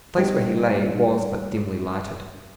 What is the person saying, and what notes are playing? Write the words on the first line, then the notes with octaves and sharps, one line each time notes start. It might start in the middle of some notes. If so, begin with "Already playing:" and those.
The place where he lay was but dimly lighted.
G3 B3 D#4 G4